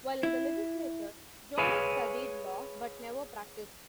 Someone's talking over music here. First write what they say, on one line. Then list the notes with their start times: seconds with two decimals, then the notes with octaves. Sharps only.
While in the legislature, Jones studied law, but never practiced.
0.23 E4
1.58 G#4 B4 C#5 F5 G#5